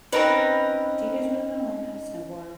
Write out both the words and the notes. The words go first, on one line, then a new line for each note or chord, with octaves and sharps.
do you guys really wanna learn how to snowboard?"
C4 C#4 D#4 A#4 B4